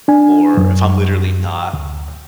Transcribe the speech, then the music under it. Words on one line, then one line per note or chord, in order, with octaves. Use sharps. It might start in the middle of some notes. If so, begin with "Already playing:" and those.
or if I'm literally not
D4 G#5
F#2
D2